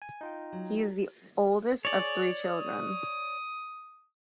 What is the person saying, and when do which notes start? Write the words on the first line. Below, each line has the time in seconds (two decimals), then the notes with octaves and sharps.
He is the oldest of three children.
0.02 G#5
0.21 D#4 F4 G5
0.52 F#3
1.85 G#4 C#5 D5
2.43 D#6